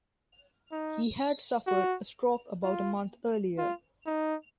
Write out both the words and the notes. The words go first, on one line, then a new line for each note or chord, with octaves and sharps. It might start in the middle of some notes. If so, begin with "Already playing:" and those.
He had suffered a stroke about a month earlier.
D#4
F#4
F4
F4
D#4